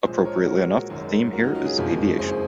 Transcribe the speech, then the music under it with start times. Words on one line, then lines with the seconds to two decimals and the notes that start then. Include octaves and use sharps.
Appropriately enough, the theme here is "aviation".
0.04 A#1 A#2 F3 G#3 G#4 C5
0.25 A#4 C#5
0.46 F#4 A#4
0.90 G#1 F#2 D#3 G#3
1.33 F#4 A#4
1.43 D#4 F#4
1.55 C#4 F4
1.65 F4 G#4
1.76 F#1 F2 D#3 G#3
2.19 G#4 C5